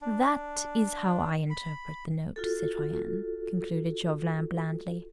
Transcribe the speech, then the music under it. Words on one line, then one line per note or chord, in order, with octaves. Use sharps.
"That is how I interpret the note, citoyenne," concluded Chauvelin, blandly.
D4
B5
F4 F#4 A4